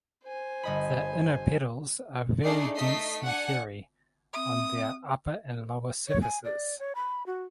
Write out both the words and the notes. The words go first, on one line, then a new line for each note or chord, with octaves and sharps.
The inner petals are very densely hairy on their upper and lower surfaces.
C5 G#5
G1 D#5 B5
A3 D4 D#4 G#4 D5 C7
A3 D#4 D#5 B6 C7
D4 F#5 G#5
C4 E5 D#6
C#5
G#5
D5
C#5
B5
F#4